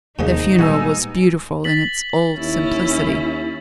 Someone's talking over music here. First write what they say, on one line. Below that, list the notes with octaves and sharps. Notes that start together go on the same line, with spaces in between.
The funeral was beautiful in its old simplicity.
D#2 A#2 F3 G#3 D#4
A#2 G3 G#3 B3 F#4 G#5 E6
A6 B6 F#7
D#2 C#4 E4